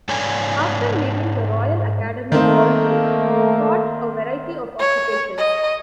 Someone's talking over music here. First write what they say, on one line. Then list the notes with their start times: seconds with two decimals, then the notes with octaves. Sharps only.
After leaving the Royal Academy Holbrooke sought a variety of occupations.
0.09 G#2 A4 C#5 D5 G#5
2.32 D#3 A3 A#3 C4
4.79 C#5
5.38 D#5